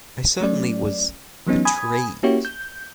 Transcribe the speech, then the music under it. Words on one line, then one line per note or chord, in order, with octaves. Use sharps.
I certainly was betrayed.
F#3 A3 C#4 D5
E3 F#3 B3 C#4 D#4
G#5 B5 D#6 G#6
A#3 C#4 E4 F#4 G4 C#5
G6